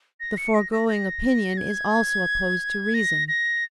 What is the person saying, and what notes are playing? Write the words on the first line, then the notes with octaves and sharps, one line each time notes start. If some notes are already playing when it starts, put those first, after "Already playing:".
The foregoing opinion is also opposed to reason.
A#6
C#7
A#6
A#6
A#6
G#6
A#6
A#6